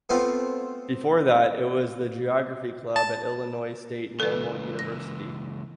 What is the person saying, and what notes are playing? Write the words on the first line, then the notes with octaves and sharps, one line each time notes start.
Before that it was the Geography Club at Illinois State Normal University.
A3 B3 C4 F4
A5
C#2 E3 A4 B4
A#6